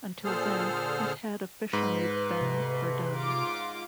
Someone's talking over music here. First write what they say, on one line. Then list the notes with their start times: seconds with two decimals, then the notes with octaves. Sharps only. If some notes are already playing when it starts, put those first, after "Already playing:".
Until then, it had officially been Verdun.
0.24 A#2 D3 G#4 A4 C5 F6
1.73 G#2 B4
2.41 C3 A3
3.13 F4 D6